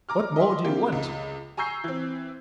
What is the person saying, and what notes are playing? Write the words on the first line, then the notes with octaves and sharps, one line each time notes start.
What more do you want?'
A#5 D6 F6
D#5 E5 C6
C3 A#3 G4
C#2
G#5 A#5 C#6 E6 G6 C7
E3 C4